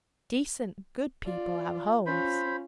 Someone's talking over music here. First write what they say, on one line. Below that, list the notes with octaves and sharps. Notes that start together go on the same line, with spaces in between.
Decent, good people have homes.
F4 D5
C#4 F4 C5 B5